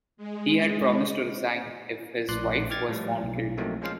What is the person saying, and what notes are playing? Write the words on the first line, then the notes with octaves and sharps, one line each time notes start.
He had promised to resign if his wife was found guilty.
G#3
A#1 A2 D5 C6 F#6
G5 D6 F6 G#6 A6
A2 F3 G3
B1
F3 F#3 A3 A#3 C4 D#4
F3 G#3 C#4 C5 F5